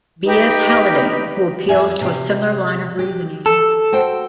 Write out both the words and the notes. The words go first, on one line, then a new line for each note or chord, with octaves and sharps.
B. S. Haldane who appeals to a similar line of reasoning.
D#4 G4 B4 D#5
F2 E5 G#5
C3 G4
G4
A4
F#4 C5 G5